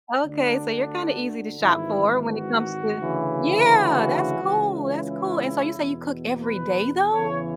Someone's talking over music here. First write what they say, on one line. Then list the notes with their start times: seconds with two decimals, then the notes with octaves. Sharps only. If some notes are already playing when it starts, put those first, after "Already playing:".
Okay, so you're kinda easy to shop for when it comes to yeah, that's cool, that's cool, and so you say you cook every day though?
0.23 D2 D3 D4
1.61 G#1 G#2 E3 E4
2.31 F#4
2.99 D2 C#3 E3
3.69 F#4
4.38 C#2 C#3 E3
5.06 E4
5.76 E2 B2
6.44 B4
7.13 E2 C#3 E3 C#5